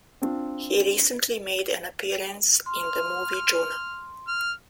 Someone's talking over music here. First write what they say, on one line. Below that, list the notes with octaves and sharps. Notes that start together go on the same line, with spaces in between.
He recently made an appearance in the movie "Juno".
C4 D4 F4
C6 F6
F6